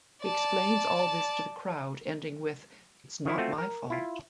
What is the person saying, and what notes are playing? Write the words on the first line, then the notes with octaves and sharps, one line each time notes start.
He explains all this to the crowd, ending with It's not my fault!
D5 A5
D#3 F3 E4
A3 C4 F4 F#4
A#4
E4 F4